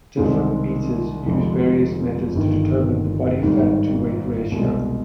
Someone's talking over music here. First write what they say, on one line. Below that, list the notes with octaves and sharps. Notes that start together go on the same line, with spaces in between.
Different meters use various methods to determine the body fat to weight ratio.
C2 C3 D#3 G#3 C4
F1 F2 D3 F3 G#3
G1 G2 D#3
G#1 G#2 D#3 G3
C2 B2 G#3